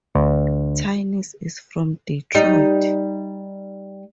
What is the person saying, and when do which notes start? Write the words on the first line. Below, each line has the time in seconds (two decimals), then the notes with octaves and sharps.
Tynes is from Detroit.
0.15 D2
2.35 G3 D#4